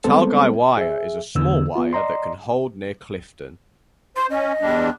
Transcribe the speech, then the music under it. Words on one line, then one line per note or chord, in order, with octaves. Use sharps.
Talgai Weir is a small weir that can hold near Clifton.
G3 G#3 B3 C4 A4 C5
G#4 E5
E2 D3 B3 E6
B3 F4
D5 D#5 A#5 C6
C5 C6
C#4 D#5
E2 G3 D4